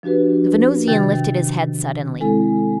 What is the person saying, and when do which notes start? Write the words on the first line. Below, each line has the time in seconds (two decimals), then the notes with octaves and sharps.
The Venusian lifted his head suddenly.
0.03 F3 D4 F#4 G4 B4
0.88 C3 D#3 G5 A6
2.21 G#3 C4 E4 A4 G#5